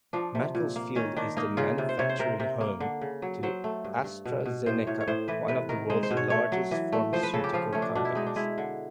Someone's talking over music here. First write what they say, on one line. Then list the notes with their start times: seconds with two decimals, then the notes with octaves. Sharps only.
Macclesfield is the manufacturing home to AstraZeneca, one of the world's largest pharmaceutical companies.
0.13 F3 D4
0.35 C3
0.55 A#2
0.76 A#3
0.96 D#3 C#4
1.17 D#3 D4
1.37 A#3 D#4
1.57 C#3 F4
1.78 C3
1.89 C5
1.99 C3 C#5
2.09 C5
2.19 C3 A#4
2.40 C3
2.61 A#3
2.80 D3
3.01 C#3
3.22 F#3
3.43 F#3 C5
3.64 A3
3.84 G2
4.04 G2
4.25 B2
4.46 B2
4.66 A2 C5
4.87 A2 C#5
5.00 C#5
5.08 A2 C5
5.28 E3 B4
5.48 C3 B4
5.69 D#3 A#4
5.90 G#3 C5
6.03 C5
6.11 B2
6.17 C#5
6.30 A3 C#5
6.52 F#3
6.71 E3
6.93 A3
7.13 F3 C5
7.23 B4
7.34 C#3 A4
7.44 G4
7.54 F3 F4
7.73 A3 C#4
7.82 D4
7.95 B2 D4
8.05 E4
8.15 G#3 D#4
8.26 D4
8.36 G#3 E4
8.58 D3